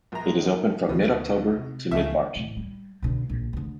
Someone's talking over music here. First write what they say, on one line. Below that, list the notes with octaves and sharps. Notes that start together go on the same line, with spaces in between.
It is open from mid-October to mid-March.
A#1 A#5
D#3
D2 B2
C3
C#2 C#3 A3 E5
A2 A3
G3
B2 D3
A#1
D2 D3